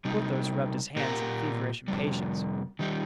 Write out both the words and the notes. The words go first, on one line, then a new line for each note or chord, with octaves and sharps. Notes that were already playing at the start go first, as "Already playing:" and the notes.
Porthos rubbed his hands in feverish impatience.
C3 G3 D#4
A#2 A#3 G4 A#4
F2 C3 G3
D#3 G3 D#4